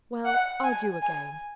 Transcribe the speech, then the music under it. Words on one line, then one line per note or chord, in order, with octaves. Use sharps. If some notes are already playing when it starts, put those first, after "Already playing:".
"Well, argue again."
F#5
G#5
G#5